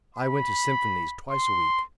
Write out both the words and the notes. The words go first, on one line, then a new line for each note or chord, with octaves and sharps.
I went to symphonies twice a week.
B5
C6